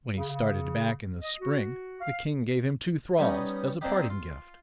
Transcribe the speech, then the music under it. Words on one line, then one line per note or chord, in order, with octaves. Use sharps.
When he started back in the spring, the king gave him two thralls as a parting gift.
C#3
C#3
D#5
F#4
F5
G3 B3 C#4 D#4
A#3 C4 D4 D#4 G4
F4